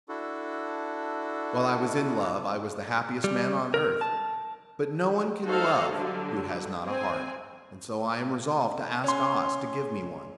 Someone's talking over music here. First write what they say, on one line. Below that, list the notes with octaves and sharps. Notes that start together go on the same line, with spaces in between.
While I was in love I was the happiest man on earth; but no one can love who has not a heart, and so I am resolved to ask Oz to give me one.
D4 E4 F#4 A4
G3
A#4
A5
D#4 F#4 A4 C5 C#5 F5
D3 F#3 G3
C4 G#5
C#4 C6